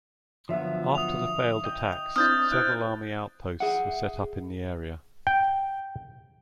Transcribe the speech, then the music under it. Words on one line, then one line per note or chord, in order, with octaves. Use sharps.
After the failed attacks, several army outposts were set up in the area.
G1 F3 F#3 B3 E5
D#6 F7
D#5 G5
C4 D4 E4 D#6 F6 G6 A6
E4 C5 F#6 D7
G#4 E5 F#5
G5